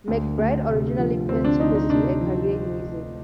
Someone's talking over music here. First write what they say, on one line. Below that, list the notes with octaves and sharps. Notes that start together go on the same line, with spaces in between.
McBride originally planned to pursue a career in music.
D2
D2
C3
F3
D2 C4
D4
D2 D#4
D#4
C3 D4
F3